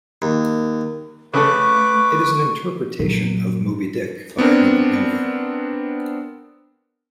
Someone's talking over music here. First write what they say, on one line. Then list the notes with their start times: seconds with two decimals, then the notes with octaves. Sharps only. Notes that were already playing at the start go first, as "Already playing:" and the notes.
It is an interpretation of "Moby-Dick" by Herman Melville.
0.22 D#2
1.34 C#3 A3 A4 B4 C#6 D6
2.99 A#2 F#3
4.38 B3 C4 D4 A#4